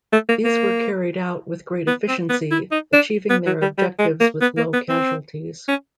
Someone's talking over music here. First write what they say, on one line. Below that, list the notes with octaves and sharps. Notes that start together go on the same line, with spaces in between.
These were carried out with great efficiency, achieving their objectives with low casualties.
A3
A#3
A#3
B3
C4
B3
E4
D#4
D4
B3
F#3
G3
G3
G#3
A#3
B3
A#3
B3
C4
C#4